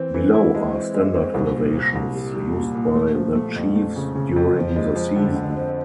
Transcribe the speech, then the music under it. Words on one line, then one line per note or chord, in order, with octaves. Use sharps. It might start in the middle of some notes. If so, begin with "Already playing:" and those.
Below are standard elevations used by the Chiefs during the season.
Already playing: E3 C4
E3
E4
G#3
C4
G#3
C4
C2
A#2
A#2
C2
G3
G3
A#2
A#2
A3
F3
A3
F2
A3
C#3
C#3
F2
F3
G#3
F3
D3
D3
C4